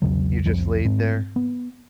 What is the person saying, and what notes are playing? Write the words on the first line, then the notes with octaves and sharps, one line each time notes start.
You just laid there?
B1 E2 C#3 F#3
C2 F2 F3
G#2 C4
B3